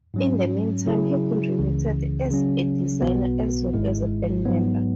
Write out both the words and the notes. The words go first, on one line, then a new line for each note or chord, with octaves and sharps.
In the meantime, he contributed as a designer as well as a band member.
G#2 F#3 C#4
C#3 F#3 E4 G#4
C#2 C#3 E3
C#3 F#3 C#4
B1 B2 B3 F#4
G#1 G#2 G#3 E4
G#2 F#3 B3